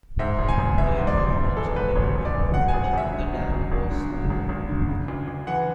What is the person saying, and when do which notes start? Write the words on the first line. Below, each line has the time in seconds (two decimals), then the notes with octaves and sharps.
There was also debate about whether the dam was needed.
0.19 G#2 E5
0.39 G#1
0.48 G#5
0.59 G#1
0.78 E3 E5
0.98 G#2
1.07 D5
1.17 G#1
1.37 G#1
1.56 E3 A4
1.76 G#2 B4
1.95 G#1 C#5
2.15 G#1
2.25 D5
2.34 E3
2.54 F#2 F#5
2.68 G#5
2.74 G#1
2.84 F#5
2.93 G#1 E5
3.13 D3 E5
3.33 F#2
3.52 G#1
3.72 G#1
3.91 D3
4.10 F#2
4.30 G#1
4.49 G#1
4.69 D3
4.88 C#3
5.08 D2
5.28 D2
5.47 E3 F#5